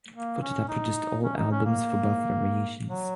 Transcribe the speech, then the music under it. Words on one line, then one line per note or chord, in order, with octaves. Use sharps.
Fujita produced all albums for both variations.
A#3
C#4
D#4
C#4
D#4
C#4
A#3
F#3